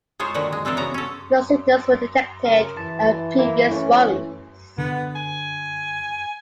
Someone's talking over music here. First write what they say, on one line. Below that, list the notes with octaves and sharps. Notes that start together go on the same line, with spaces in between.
No signals were detected on previous runs.
G#3 D#4 F4 C5 C#5
A#2 D3 D#3 F3 F#4 A#4
G#3
E3 C4 D4 A4 A#4
C#3 B3 F#4 A#5
C#4 A4
C#3 A#4
E3 A5
A#3 E4
E3 A3 C#4
D3 B3
G#5